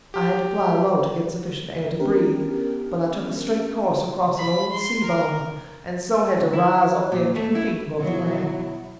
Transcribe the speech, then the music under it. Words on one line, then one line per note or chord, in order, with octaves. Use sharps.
I had to fly low to get sufficient air to breathe, but I took a straight course across an old sea bottom and so had to rise only a few feet above the ground.
G4
B3 C#4 D4 G4 A#4
B5
C6
A#4
D2
E4
A#2
A3
E4
B2 F#3 E4